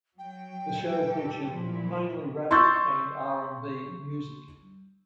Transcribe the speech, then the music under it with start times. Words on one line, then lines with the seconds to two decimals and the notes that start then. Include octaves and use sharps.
The show featured mainly rap and R and B Music.
0.18 F#3 G5
1.09 G4 A4
1.46 A#2 F3 E4
2.51 C6 C#6 E6 F#6 G6 A6